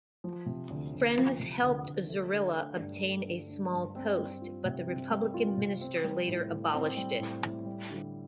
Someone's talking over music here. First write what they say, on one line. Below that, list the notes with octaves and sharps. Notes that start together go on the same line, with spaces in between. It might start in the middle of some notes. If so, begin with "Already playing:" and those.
Friends helped Zorilla obtain a small post, but the republican minister later abolished it.
F3
C3
D2
D2
F3
C3
D2
D2
A3
D3
D4
G2
A3
D3
D4
G2
C4
G3
F4
C3
C4
G3
F4
C3
C4
G3
A2
A2
C4
G3
A2
A2
G3
D3